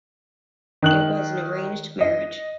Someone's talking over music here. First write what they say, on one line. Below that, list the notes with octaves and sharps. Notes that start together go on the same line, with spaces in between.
It was an arranged marriage.
D#3 F#6 F#7
D#5